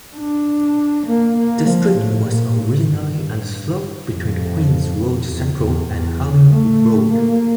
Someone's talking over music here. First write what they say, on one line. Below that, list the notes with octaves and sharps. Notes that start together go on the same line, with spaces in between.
The street was originally on the slope between Queen's Road Central and Hollywood Road.
D4
A#3
A#3
F3
A2
A#2
A2
G2
F2
E2
E2
E2
C#3
A3
A#3